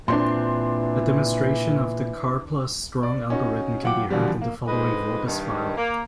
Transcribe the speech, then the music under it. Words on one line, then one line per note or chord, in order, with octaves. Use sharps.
A demonstration of the Karplus-Strong algorithm can be heard in the following Vorbis file.
A#2 E3 C4 D4 C6
D5
C#4 D#4 F#4
F#3 F4 F#5 G5 D6
B2 D3 E3 F3 G3
A#3
F2 G#2 B4 D#5
G2 D#3
A#3